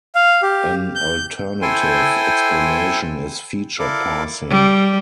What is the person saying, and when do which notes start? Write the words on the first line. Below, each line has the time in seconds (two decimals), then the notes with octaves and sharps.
An alternative explanation is feature passing.
0.15 F5
0.42 G4
0.95 G6
1.62 E4 A4 C5 G5 G#5 C6
3.79 E4 A4 A#4 D5 F5 D6
4.50 G3